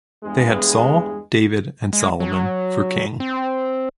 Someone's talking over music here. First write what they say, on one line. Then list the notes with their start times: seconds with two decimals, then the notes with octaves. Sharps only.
They had Saul, David and Salomon for king.
0.24 E2 G2 G#3 B3 G#4
1.93 G#3
2.20 F#3
3.20 C4